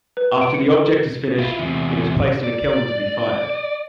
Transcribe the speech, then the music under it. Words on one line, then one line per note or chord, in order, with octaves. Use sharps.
After the object is finished, it is placed in a kiln to be fired.
B4
D7
C#7
A4
E4 F4
E2 C3
D5